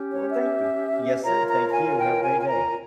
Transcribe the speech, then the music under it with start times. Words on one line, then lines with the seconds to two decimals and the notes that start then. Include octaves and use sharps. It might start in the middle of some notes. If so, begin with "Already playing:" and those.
Well, thank you. Yes, sir. Thank you. Have a great day.
Already playing: C#4 G4
0.10 C#5
0.29 E5
1.23 F4 A#4 C#5 A#5
1.48 A#5
1.69 A#5
1.73 G#5
1.98 G5
2.23 G#5
2.41 G#5
2.48 A#5